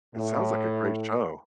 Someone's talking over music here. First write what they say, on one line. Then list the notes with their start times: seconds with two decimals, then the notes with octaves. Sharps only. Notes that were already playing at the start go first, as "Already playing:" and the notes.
It sounds like a great show.
0.16 A2